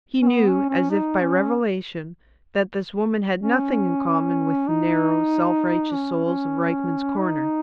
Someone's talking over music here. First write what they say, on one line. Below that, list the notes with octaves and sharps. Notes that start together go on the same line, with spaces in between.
He knew, as if by revelation, that this woman had nothing in common with the narrow, self-righteous souls of Rykman's Corner.
C#4
B3
C#4
C#4
D#4
C#4
C#4
D#4
C#4
C#4
D#4